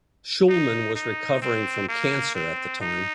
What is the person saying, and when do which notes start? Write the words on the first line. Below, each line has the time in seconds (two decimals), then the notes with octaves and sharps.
Shulman was recovering from cancer at the time.
0.50 D#4
0.96 D#4
1.42 C4
1.89 A#3
2.35 C4
2.81 D#4